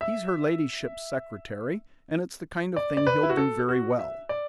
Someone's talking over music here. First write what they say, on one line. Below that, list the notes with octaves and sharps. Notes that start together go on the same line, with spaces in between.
He's her ladyship's secretary, and it's the kind of thing he'll do very well.
E5
D5
D5
B4
E4
F#4
A4
F#4
E5
D5